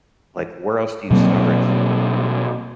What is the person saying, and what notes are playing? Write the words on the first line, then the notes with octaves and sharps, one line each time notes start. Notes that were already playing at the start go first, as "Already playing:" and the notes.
like, where else do you start?
B2 F#3 A#3 C4